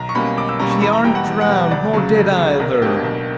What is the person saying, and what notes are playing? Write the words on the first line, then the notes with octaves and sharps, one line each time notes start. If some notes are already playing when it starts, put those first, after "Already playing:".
She arn't drowned; nor dead eyther!
Already playing: B1 A#5
C#6
B2 G3 A#3 C#4 B5
B1 D6
E6
B2 G3 A#3 C#4 A#5
C#6
E2 B5
A#5
B2 G3 G5
F#5
E2
F#5
B2 G3
D2 D5
C#3 F#3
D2
C#3 F#3
B1 A#4
B2 A#3 D4 G4
B1